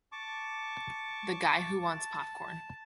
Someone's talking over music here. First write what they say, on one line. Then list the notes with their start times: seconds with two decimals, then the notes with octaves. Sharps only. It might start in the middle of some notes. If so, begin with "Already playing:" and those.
The guy who wants popcorn.
0.12 A5 C#6 D6
1.83 A5